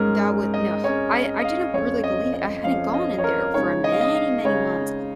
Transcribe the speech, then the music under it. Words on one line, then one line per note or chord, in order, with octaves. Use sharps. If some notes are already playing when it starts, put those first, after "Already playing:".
That would no, I I didn't really believe it. I hadn't gone in there for a many many months c
Already playing: G#2 G#3 C#4 A#4
D#5
G#2 G#3 C#4 C#5
D#5
D#5
F5
F2 F3 C#4 C#5
D#5
D#5
F2 F3 C#4 F5
D#5
C#5
A#4
C#3 G#3 D#4 C#5
D#5
F5
D#5
F5
C#3 G#3 D#4 C#5